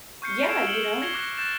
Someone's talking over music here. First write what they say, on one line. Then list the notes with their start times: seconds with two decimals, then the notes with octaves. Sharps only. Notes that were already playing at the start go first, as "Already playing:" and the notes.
Yeah, you know?
0.22 C#6 F6 G6 C7 C#7
0.49 E6 F6 G#6 D7 E7 F7
0.67 G6 C#7 F#7 G7
1.02 G#6 A#6 C7 C#7 F7 G7
1.14 D6 F#6 A#6 C#7
1.38 F#6 G6 A6 E7